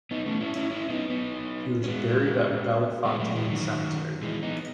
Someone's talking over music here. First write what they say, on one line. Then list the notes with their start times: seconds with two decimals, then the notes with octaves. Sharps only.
He was buried at Bellefontaine Cemetery.
0.11 B3 D#4
0.26 A3 C#4
0.41 C#4 E4
0.56 C#4 E4
0.71 C#4 E4
0.90 B3 D#4
1.10 B3 D#4
1.84 C#4
1.88 G#3 B3
3.05 G#3 B3
3.20 F#3 A3
3.35 E3 G#3
3.49 D#3 F#3
4.23 E3 G#3
4.43 B3 D#4